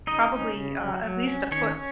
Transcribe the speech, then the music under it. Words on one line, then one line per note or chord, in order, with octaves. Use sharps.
probably, uh, at least a foot
C#3 D#4 D#5
C#4
C#3
F#3
F#3
C#4
D#3 C#4 C#5
C#4